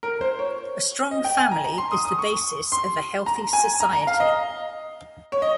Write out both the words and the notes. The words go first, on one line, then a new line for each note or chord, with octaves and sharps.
A strong family is the basis of a healthy society.
A#4
C5
C#5
D#5
G5
G#5
A#5
A#5
C6
D#6
D#6
C#6
C6
A#5
G#5
A#5
A#5
F5
D#5
C#5
D#5